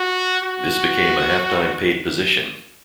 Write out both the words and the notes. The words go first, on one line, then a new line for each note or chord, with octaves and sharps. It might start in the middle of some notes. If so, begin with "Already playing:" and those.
This became a half-time paid position.
Already playing: F#4
F#4